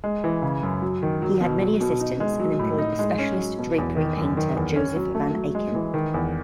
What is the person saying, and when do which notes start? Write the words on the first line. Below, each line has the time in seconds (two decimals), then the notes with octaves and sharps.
He had many assistants, and employed the specialist drapery painter Joseph van Aken.
0.04 G#3
0.24 E3
0.42 C#3
0.63 F#2
0.82 F#3
1.03 D#3
1.22 F#3
1.41 B2
1.61 F#3
1.81 B2
2.00 D#4
2.20 G#3
2.40 F#3
2.59 A2
2.79 D#4
2.99 G#3
3.18 C#4
3.38 F#3
3.58 B2
3.78 E2
3.97 D#3
4.17 F#2
4.37 D#3
4.56 E2
4.76 C#4
4.96 F#3
5.15 A3
5.34 F#3
5.55 G#3
5.75 E3
5.94 D#3
6.14 E2